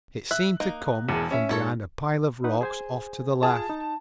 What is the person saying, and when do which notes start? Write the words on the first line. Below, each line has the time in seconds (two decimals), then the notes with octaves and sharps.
It seemed to come from behind a pile of rocks off to the left.
0.31 E5 F#6
0.60 A#3 D#4
1.08 E1 E2
1.31 C#4 E5
1.49 G#2 E4 A4 C#5
2.44 D#4 B4 F#5
2.61 G#4 C5 G#5
3.43 F4 G#4 A5
3.70 D#4